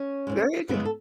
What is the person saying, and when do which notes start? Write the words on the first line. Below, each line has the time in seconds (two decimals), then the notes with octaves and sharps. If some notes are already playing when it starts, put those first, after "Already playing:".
There you g
Already playing: C#4 C#5
0.27 D2 C#3 G#3
0.69 F#2 C#3 E3 G#3 B3 B4
0.85 A4